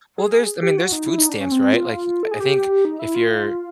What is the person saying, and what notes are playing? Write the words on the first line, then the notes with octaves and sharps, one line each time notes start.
Well, there's I mean, there's food stamps. Right? Like, I I think if you're
G#4
G#4
G4
F#4
D#4
E4
D#4
D4
C#4
C4
F4
A4
G#4
G4
D#4
E4
F4